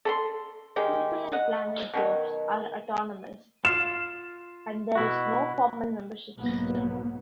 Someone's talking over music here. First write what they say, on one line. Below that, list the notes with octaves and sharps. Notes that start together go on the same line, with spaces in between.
People and Planet groups are autonomous and there is no formal membership system.
A4 B5 C6
D#3 G#3 G4
D#5 F#5
B2 D#3 F#3
F4 F5 E7
B2 E4 F#4
B1 G#2 F#3 A#3 B3